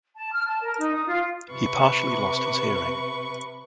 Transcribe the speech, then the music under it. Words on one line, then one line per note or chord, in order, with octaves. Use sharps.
He partially lost his hearing.
A5
F6
A5
A#4
D#4
D#6
F4
C3 B4 C#6